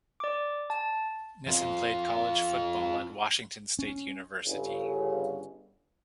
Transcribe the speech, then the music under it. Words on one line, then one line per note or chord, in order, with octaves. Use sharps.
Nissen played college football at Washington State University.
D5 D6
A5
F2 F4
C#4
G1 C#3